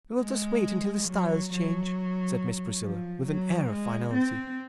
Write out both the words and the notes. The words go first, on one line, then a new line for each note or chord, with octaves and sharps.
"We will just wait until the styles change," said Miss Priscilla, with an air of finality.
G#3
F#3
F#3
F3
F#3
G#3
C4